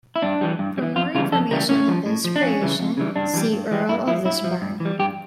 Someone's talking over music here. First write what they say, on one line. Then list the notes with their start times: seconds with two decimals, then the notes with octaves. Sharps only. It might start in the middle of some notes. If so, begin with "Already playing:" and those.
For more information on this creation, see Earl of Lisburne.
0.16 E4
0.22 G2 D4
0.41 E3 G3
0.59 G2
0.78 G3
0.82 E3
0.96 F2 F4
1.15 C#3 E3 G3 F4
1.32 F2 A4
1.51 C#3 E3 G3 A#4
1.69 A2 C#4
1.88 F3
2.06 A2
2.24 F3
2.36 D4
2.42 F2 C#4
2.61 C#3 E3 G3
2.79 F2
2.97 C#3 E3 G3
3.16 G2 D4
3.34 E3 G3
3.53 G2
3.71 E3 G3
3.89 G2 E4
4.08 F3 E4
4.26 G2 E4
4.44 F3
4.62 G2
4.80 E3
4.85 G3
4.99 G2 G4